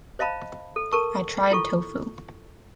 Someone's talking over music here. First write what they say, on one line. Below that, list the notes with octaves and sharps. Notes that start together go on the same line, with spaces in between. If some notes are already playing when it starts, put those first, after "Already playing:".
I tried tofu.
C5 D#5 F5 A5 B5
A4
A4 A#4 A5 C#6
E4 F4 A4 C#6